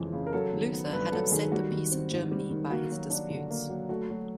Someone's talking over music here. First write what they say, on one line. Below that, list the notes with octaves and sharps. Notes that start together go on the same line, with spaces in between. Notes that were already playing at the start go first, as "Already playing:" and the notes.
Luther had upset the peace of Germany by his disputes.
Already playing: F2 C#3 E3 G#3
C#3
A#4
F#3 A4
D#3
B3
G2 B4
F#3 A4
D#3 G#4
G3 F#4
D#3
C4
G#2
G3
D#3
A#3 F#4
F#3
D4
D3
A#3
F#3
A3 F#4
F#3